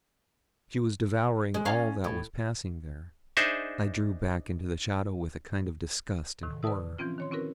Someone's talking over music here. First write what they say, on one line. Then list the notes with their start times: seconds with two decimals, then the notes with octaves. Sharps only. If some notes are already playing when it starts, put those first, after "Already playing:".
She was devouring all that was passing there. I drew back into the shadow with a kind of disgust and horror.
1.54 G#3
1.65 C#4 D5 F5
2.04 A2
3.37 D4 D#4 G#4 C5 D#5 E5
6.43 A2 C3 D#3
6.63 B4 D5 A5 D#6 E6
6.98 E3 F3 C4 C#4 F4
7.18 D#3 C#5 C6
7.31 C4 C#4 E4 F#4 A#4 B4